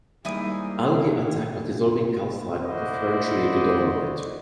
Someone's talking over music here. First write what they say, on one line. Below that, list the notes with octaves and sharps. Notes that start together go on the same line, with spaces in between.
Algae attack by dissolving calcite preferentially to dolomite.
G3 G#3 A#3 D#4 E4 C5 G#5 D#6
D#4 F5 G#5
E4 F#4 C5 D5 D#5